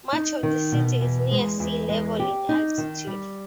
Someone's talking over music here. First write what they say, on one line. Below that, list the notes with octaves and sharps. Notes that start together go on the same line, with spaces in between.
Much of the city is near sea level in altitude.
D#4
D#3
B2
E2
G#3
E2
G#3
G4
D#4
D#3
G3